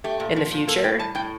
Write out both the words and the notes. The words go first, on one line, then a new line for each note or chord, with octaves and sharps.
in the future,
A3 G4
A#2
F3
A#2
A#3 A4
A2 G5
G3 A5
A2 G5